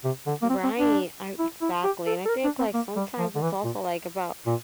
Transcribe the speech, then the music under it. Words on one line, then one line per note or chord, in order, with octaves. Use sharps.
Right, ar exactly, and I think, like, sometimes it's also, like, about,
C3
D3
A#3
C4
C4
D4
E4
E4
G4
A4
A4
A#4
D4
C4
A#3
G3
F3
D3
E3
A#2
A#2